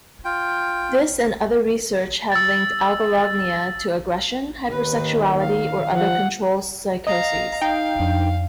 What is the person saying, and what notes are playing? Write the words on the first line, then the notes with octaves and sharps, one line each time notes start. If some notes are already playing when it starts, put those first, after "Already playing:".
This and other research have linked algolagnia to aggression, hypersexuality, or other control psychoses.
F4 G5
E6 A6
D#2 D#3 B4
F5
F3 F#5
D#5 F5 A#5
D#4 F5 G5
F2 D4